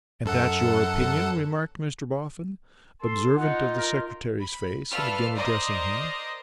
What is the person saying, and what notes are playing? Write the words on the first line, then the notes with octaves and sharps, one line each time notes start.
'And that's your opinion?' remarked Mr Boffin, observant of the Secretary's face and again addressing him.
F#2 A4 F#5
A4 C6
D#4 F4 F#5
A#4
B5
F4 A4 B4 D5 E5 F6
A#4 C5 D5 D#5